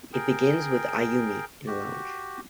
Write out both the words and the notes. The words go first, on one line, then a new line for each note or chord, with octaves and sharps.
It begins with Ayumi in a lounge.
G#4 A#4 G5
F#4 G4